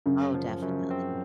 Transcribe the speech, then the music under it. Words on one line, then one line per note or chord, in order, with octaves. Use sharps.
Oh, definitely.
F#2 C#3
F3
F#2
C4